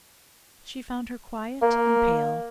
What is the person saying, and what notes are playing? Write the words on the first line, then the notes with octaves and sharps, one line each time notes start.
She found her quiet and pale.
A#3